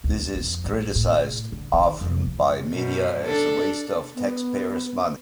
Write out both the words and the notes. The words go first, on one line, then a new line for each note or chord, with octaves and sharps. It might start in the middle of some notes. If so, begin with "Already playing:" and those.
This is criticized often by media as a waste of taxpayer's money.
D2
F2
A1
A2
D3
D#3
F2
E3
F#2 B2
D4 A4
B3